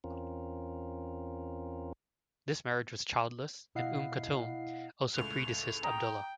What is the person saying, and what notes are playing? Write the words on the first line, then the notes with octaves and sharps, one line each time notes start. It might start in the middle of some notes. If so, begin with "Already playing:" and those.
This marriage was childless, and Umm Kulthum also predeceased Abdullah.
E2 C4 C#4 F4 A#4
B2 E4 D#5 F5 F#5 C7
C#2 A2 F#6 F7
G5 A#5 D#6